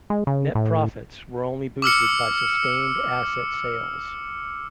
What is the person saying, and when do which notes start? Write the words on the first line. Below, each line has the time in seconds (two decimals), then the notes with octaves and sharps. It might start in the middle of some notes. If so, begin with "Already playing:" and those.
Net profits were only boosted by sustained asset sales.
0.10 G#3
0.27 C#3
0.55 A2
1.82 D6 E6 F6 C#7